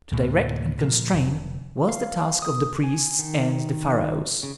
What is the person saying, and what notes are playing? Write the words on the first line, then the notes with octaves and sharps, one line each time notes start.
To direct and constrain was the task of the priests and the pharaohs.
D2 A2 C3 A#3
A#2 F3
F1
F5
D#6
G#5
D#3
C#3